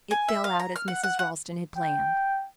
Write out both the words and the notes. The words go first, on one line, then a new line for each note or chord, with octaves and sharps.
It fell out as Mrs. Ralston had planned.
G#5
E5
F5
A#5
F6
F#5
F#5
F#5
G5